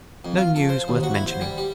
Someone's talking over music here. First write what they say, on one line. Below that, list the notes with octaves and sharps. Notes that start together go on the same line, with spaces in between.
No news worth mentioning.
F2
F4
A4
C5
D#2
F#4
E4
C5
G3
G3